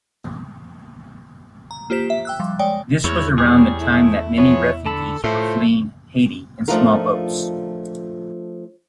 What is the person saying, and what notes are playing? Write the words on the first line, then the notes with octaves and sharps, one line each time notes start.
This was around the time that many refugees were fleeing Haiti in small boats.
A#5
A#3 F4 G4 C5 B6 E7
E5
G5 E6 F#6
F3 G3
G#3 C#5 D5 G5
E2 E4 C#5
G3 G#4 C#5
A3 E4
F3 B3 G#4 C#5
D3 A4 A5 B5
A2 A3 F4 A4 C5
F3 A3 D4 D#4 F4 A#4